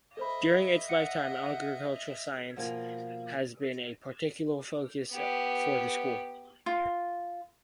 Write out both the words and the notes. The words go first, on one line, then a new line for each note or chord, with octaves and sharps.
During its lifetime agricultural science has been a particular focus for the school.
A4 C5 D#5 E5 B5
F#5 C#7
B2 F3 A#3 A#4 C5 G#5
B3 G4
F4